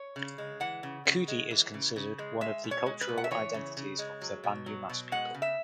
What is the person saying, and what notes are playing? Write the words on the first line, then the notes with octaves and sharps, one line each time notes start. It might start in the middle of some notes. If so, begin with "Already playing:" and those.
Kudi is considered one of the cultural identities of the Banyumas people.
Already playing: C#5
C#3
G#3
E3 F#5
C#3
C#3
G#3
E3
C#3
C#3
G#3
G#3 E5
B2
C#5
G#3
B4
B2
F#5
E5
E3 C#5
C#3
C#3
G#3
F#3
B2
F#3
B2
G#3 F#5
C#3
E5